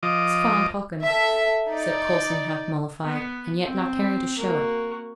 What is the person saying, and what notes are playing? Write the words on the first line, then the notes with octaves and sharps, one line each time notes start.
'It's fine talking,' said Coulson, half mollified, and yet not caring to show it.
F3 D#5 D6
A4 E5
D#4 D5
B3
C4
A#3 F#4